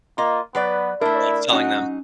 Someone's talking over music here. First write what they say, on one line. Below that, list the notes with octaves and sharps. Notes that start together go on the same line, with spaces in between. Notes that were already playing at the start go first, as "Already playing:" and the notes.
or, like, selling them?
A#3 F4 D#5
F#3 B3 B4 D5
A3 D4 E4 A#4
F#3 C#4 D#4 F#4